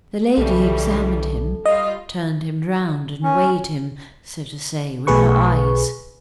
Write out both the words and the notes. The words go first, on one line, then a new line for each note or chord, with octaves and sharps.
The lady examined him, turned him round and weighed him, so to say, with her eyes.
B1 C#3 E3 G3 A4
G3 F4 D#5
C#4
B1 B2 A3 G#4 B4 C#6